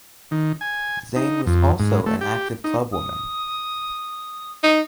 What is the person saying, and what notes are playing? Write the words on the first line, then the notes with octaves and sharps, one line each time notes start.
Zane was also an active clubwoman.
D#3
G#5
D#4
F2
G#2
A3
G4
D#4
D#6
D#4